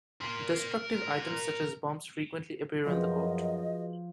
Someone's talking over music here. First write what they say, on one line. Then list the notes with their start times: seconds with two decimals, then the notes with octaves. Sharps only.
Destructive items such as bombs frequently appear on the court.
0.21 A#4 C6
2.85 F#2 F3 F#4 G#4 B4 D#5